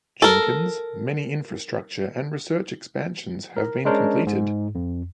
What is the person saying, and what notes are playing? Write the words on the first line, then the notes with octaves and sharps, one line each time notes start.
Jenkins, many infrastructure and research expansions have been completed.
A4 A#4
A#4
G#3 C#4 D4 A#4 C5 C#5
G#2
F2